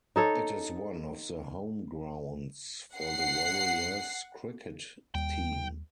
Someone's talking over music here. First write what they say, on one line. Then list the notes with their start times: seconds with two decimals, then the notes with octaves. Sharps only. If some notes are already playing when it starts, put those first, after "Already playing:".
It is one of the home grounds for the Warriors cricket team.
0.16 D#4 A4 C#5
2.96 F#5 C7
5.15 D#2 G3 G5